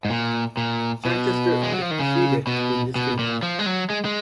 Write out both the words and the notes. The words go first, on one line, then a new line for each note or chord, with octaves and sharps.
Chichester acceded to this demand.
G#2
A#2
A#2
B2
G#3
F#3
F3
D#3
C#3
B2
B2
A#2
F3
G#3
F#3
G#3
G#3